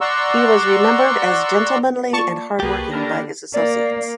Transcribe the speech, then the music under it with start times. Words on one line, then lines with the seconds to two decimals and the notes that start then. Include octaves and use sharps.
He was remembered as gentlemanly and hard-working by his associates.
0.01 D5 F#5 A#5 C6 C#6 E6
2.13 A#3 F4 D5 A5 C#6
2.60 C2 A#3 G4 G#4 B4 A6
2.92 D3 D4 B5 F6 A#6
3.54 A#3 D5